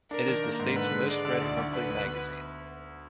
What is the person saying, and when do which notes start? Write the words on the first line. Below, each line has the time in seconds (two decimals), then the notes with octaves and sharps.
It is the state's most-read monthly magazine.
0.11 D4 A#4
0.28 D#3
0.44 A#3
0.59 G#2
0.76 D3 B4
0.92 G#3
1.09 G#3 D5
1.25 D3
1.41 D2
1.57 D2
1.73 D3 B4
1.90 D2
2.06 B3